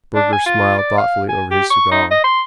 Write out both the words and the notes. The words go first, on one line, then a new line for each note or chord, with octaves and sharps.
Burger smiled thoughtfully over his cigar.
D4
G#5
F4
D5
F5
G#5
G4
C#6
D#4
D#5
C6